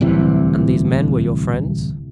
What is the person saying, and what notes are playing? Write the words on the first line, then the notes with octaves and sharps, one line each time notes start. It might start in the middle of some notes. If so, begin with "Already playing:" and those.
"And these men were your friends?"
D1 C2 C3 E3